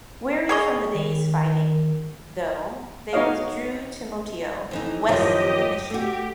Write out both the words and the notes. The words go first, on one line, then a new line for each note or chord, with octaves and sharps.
Weary from the day's fighting, though, they withdrew to Motieau, west of the mission.
G#4 C#5 D#5 B5
D#3
B3 D#4 F#4 C#5 D#5 F5
F2 E3 D#4
F#2 D#3 F3 G4 D#5
A3 F#4 G4